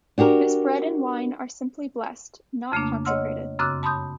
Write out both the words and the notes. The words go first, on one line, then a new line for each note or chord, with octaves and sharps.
This bread and wine are simply blessed, not consecrated.
D4 F#4 G4 A#4
F2 C#3 A3 A#3 D4
C#5 D#5 F#5 C6 E6 F6
F#2 C#3 C4 D6 E6 F#6
A5 B5 C6 D#6 G6